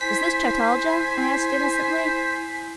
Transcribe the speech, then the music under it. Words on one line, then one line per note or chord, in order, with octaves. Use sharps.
'Is this Chataldja?' I asked innocently.
E4 C5 G#5 B6